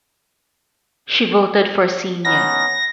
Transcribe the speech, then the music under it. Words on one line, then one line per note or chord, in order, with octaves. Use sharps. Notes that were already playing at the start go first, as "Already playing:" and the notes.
She voted for Xenia.
B3 C#4 D#4 A#6